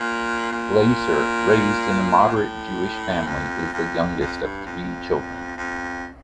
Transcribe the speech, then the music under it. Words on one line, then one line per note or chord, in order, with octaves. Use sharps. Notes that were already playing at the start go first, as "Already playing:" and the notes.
Glaser, raised in a moderate Jewish family, is the youngest of three children.
Already playing: A#2
A#2
A2
F2
F2
F2
G2
F2
F2